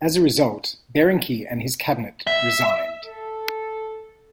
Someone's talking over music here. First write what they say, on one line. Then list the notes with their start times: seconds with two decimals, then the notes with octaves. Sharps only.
As a result, Berinkey and his cabinet resigned.
2.27 E5
3.05 A4